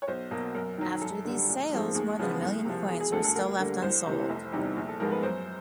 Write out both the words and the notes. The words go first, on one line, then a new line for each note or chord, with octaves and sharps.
After these sales, more than a million coins were still left unsold.
C#5
B1 C5
B2 F#3 A#3
F#2 A#4
D#3 F#3
F#2 A4
D3 G3
A#1
G#2 F3 G#3 C4
D#2 G#4
C#3 F3 G#3 B3
C2
C3 F3
E1 G#4
G#4
D2 D3 A4
A4
D2 A#4
D3 G3 A#3
C2 C5
C3 E3
F1
E2 C3 D#3 G3
A#1
A4
G#2 F3 G#3 B3 A#4
B4
F#2 C5